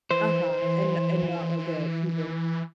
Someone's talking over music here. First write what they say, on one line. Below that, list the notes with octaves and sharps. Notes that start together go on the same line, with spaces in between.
Uh-huh, and and not like an evil
E3 C5